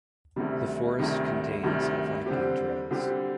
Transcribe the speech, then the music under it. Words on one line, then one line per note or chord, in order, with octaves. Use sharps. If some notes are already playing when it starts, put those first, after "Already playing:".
The forest contains of hiking trails.
D2 C3 D#3 G3
D2 C3 D#3 G3
D2 C3 D#3 G3
D3 G3 C4 G4
D3 G3 C4 G4